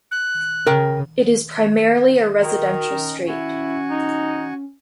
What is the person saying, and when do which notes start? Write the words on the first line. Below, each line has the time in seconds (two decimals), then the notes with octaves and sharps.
It is primarily a residential street.
0.11 F#6
0.67 C#3 A#4 G5
2.42 D#3 D#4 F#4 A#4 A#5
2.91 C#4
3.28 E4 F#4 G#5 C#6
3.90 D#4